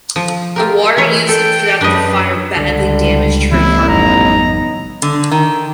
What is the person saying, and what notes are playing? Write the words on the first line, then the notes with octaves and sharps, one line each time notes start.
The water used to put out the fire badly damaged her cargo.
F3
F4 G4 A#4
E3 A#4 C#5
A4 G5
F#2 D4 B4 D#5
C#2 D3 G3
A1 E3 B3 C4 E4
G#1 F2 G3 B3 D#4 A#5
D3
D#3